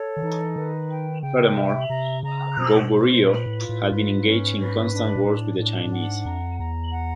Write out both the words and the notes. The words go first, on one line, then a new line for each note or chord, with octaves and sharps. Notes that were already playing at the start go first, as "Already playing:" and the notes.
Furthermore, Goguryeo had been engaged in constant wars with the Chinese.
Already playing: A4 C#5
D#3
E3 D#4
D#3 B4
G5
C#3 G5
C3 E5
C3 A#5
C#3 A#5
B2 C5
C5
A#2 B4
A2
F4
A2
G#2 B4
C#4
B4
D4
A#2
A2 D4
A2 D4
A2
G#2 F#5
F2 A#5
E2 A#5
F#5